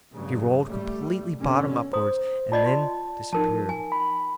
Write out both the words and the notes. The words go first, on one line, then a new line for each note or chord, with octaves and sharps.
She rolled completely bottom upwards, and then disappeared.
A1 G2 C#3 F#3
G3 A3
F1 G#2 B2 D3 C#4
C5 A#5 D#6
F4 D5 D#5 A5
C6
F3 D#4 A#4 A5
G#5
B5